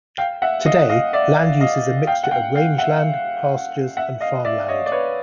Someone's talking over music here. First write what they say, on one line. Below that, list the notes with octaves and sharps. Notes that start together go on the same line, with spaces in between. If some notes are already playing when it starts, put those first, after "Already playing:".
Today, land use is a mixture of rangeland, pastures, and farmland.
F5 G5
E5 F#5
D#5 F5
D#5 F5
D5 E5
D#5 F5
F5 G5
F#5
F5 G5
F5 G5
E5 F#5
E5 F#5
D#5 F5
D5 E5
C#5 D#5
D5
B4 C#5